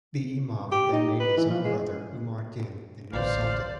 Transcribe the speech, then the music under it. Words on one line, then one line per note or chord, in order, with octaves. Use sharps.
The Imam then made his own brother, Umar Din, the new Sultan.
G4
D#4
B4
E3
F3
G#3
A1 D2 C5 D5 F5